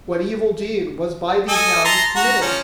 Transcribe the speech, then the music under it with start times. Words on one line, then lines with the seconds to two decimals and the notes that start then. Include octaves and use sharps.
What evil deed Was by these hands committed?
1.48 A4 D#5 G#5
1.85 A5 A#5 C6
2.15 F#4 A#5
2.42 F3 C#4